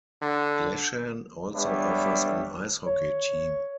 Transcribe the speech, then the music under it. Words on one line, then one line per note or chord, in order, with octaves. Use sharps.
Glashan also offers an ice hockey team.
D3
G3 B3 D4 B4 C#5 E5
C#5